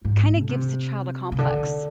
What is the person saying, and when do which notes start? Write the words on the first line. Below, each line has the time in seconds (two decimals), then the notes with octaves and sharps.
kinda gives the child a complex.
0.05 G#2
0.41 D3
0.49 C3
1.32 C3
1.38 D3